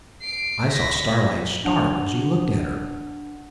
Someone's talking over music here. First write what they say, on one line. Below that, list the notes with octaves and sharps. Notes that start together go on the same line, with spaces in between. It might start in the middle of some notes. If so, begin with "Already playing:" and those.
I saw Starlight start as he looked at her.
C7 D7
A#6 B6
D4 F#5 A5 F7